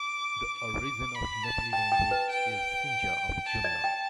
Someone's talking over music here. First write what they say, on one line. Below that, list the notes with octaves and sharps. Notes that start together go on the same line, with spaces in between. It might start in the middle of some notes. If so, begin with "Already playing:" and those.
The origin of Nepali language is Sinja of Jumla.
Already playing: D6
D6
B5
A5
G5 A5
G5
B4
G5
A5
D5
G5